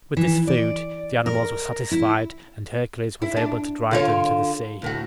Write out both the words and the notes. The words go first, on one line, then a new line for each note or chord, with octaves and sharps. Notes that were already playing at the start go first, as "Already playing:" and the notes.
With this food the animals were satisfied and Hercules was able to drive them to the sea.
E3
D5
A#4
E4
E4
D4
D3 F4 C#5
D2 A2 F#4